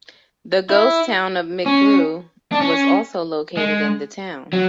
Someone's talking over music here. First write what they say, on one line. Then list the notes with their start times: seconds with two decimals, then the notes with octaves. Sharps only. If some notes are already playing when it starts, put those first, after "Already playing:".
The ghost town of McGrew was also located in the town.
0.70 E4
1.66 C#4
2.52 D4
2.61 C#4
3.57 G#3
4.53 F#3